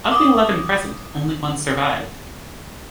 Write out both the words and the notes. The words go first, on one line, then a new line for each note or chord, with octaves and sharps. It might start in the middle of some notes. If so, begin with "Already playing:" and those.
Of the eleven present, only one survived.
D6 D#6